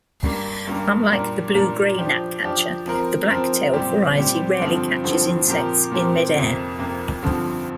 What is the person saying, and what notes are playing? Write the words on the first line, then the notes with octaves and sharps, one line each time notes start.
Unlike the blue-gray gnatcatcher, the black-tailed variety rarely catches insects in midair.
G2 G3 A#3
G2 G3 A#3
A#2 G3 D4 A#4
A#2 G3 D4 A#4
F3 D4 G4
F3 D4 G4
F3 C4 A#4
F3 C4 A#4
A#2 G3 C4 G4
A#2 G3 C4 G4
G2 D3 F3 C4
G2 D3 F3 C4
A#2 F3 C4 G4 A#4
A#2 F3 C4 G4 A#4
F2 C3 A#3
F2 C3 A#3
G2 D3 F3 C4